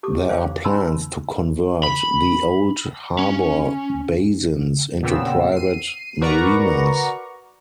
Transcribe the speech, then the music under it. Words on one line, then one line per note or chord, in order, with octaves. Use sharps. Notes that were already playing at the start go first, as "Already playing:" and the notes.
There are plans to convert the old harbour basins into private marinas.
G4 A4 D6
C5 C#5 F5 G5 D6
C#4 D#4 B5 C6 E6
B5
C#4
A#2 C#3 B3 C4 E6
C7 D#7
F#4 A#4 B4 D5 A#5 C#6